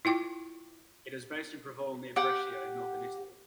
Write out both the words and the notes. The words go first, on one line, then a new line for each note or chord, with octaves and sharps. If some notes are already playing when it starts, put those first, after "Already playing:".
It is based in Prevalle near Brescia in northern Italy.
E4 F4 G5 D6
G4 F#5 G5